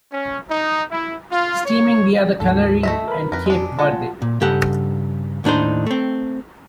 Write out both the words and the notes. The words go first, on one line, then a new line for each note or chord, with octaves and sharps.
Steaming via the Canary and Cape Verde.
C#4
D#4
E4
F4
C#5
D2 G#2 A4
A3 D#5 E5
A#4 B4 B5
F2 A#4 B4
G#3 D4
G#3 F4 F#5 A5
A#2
G2 C#3 G4 A4 F#5
D#2 A2 D4 D#4 C5
A3 C4